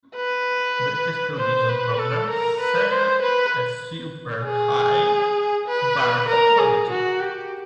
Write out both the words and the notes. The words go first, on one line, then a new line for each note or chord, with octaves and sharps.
British television programs set a super high bar for quality.
B4
C5
B4
A4
A#4
B4
C5
B4
G#4
B4
A#4
G#4
F#4
G4